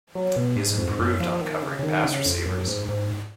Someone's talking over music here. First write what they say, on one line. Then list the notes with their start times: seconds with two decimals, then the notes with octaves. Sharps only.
He has improved on covering pass receivers.
0.15 F#3
0.36 B2
0.56 G#2
0.78 F2
0.91 G#2
0.99 F#2
1.20 F3
1.41 D#3
1.62 C#3
1.79 C#3
1.83 D#3
2.04 C#3
2.26 F2
2.46 F#2
2.67 G#2
2.89 G#2